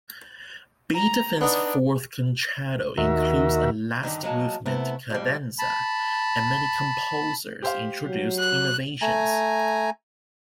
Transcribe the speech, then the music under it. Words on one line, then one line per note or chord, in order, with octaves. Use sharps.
Beethoven's fourth concerto includes a last-movement cadenza, and many composers introduced innovations.
A#5
B3 D4 D#4
D#2 F#4 A#4 E5
G2 D3 D#3
F#3 G#3 A#3 A5
C3 A3 B3 E4
F2 A2 G3
A5 B5
G4 C5 F5
F#3
F#6
A3 G#5 A#5